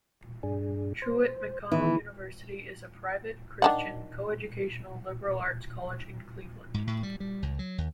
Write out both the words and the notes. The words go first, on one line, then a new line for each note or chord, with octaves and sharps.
Truett McConnell University is a private, Christian, coeducational liberal arts college in Cleveland.
G2 D4 G#4
C5
D#3 E3 B3 E4
D#3 D4 F#5
G#2
A2
G3
G3
C#2
F#3
D#2